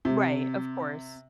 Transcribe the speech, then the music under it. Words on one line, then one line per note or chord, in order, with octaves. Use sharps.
Right, of course.
C3